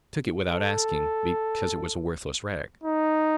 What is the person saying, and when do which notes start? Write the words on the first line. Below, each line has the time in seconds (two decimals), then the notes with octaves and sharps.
I took it without asking, because it was a worthless rag.
0.48 A4
2.84 D#4